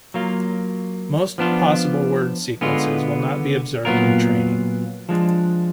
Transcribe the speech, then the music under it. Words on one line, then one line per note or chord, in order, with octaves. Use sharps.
Most possible word sequences will not be observed in training.
F#3 A#3 F4
F3 B3 D4 F4
D3 G#3 B3 F4
A#2 F#3 B3 F4 A#4
F3 G#3 D4